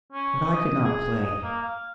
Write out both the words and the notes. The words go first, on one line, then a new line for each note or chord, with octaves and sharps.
But I could not play.
C#4
D#5
G#4
D#5
A#3
F5